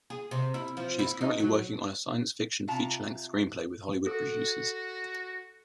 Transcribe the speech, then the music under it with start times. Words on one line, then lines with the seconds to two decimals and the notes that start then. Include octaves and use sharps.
She is currently working on a science fiction feature-length screenplay with Hollywood producers.
0.10 G#4
0.31 C3
0.54 E4
0.77 F3
0.99 E4
1.21 D#4
1.40 F#3
2.68 C3 F4 A5 A#5
4.07 F#4 A4